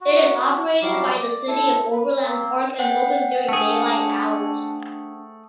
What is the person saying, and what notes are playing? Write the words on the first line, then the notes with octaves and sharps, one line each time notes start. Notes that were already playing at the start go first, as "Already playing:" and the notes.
It is operated by the City of Overland Park, and open during daylight hours.
F#4
F#3 G3 D5 F5
D5
E4 A4
B4
A#3 C4
C5 F#5 G5
A3 D4 G#4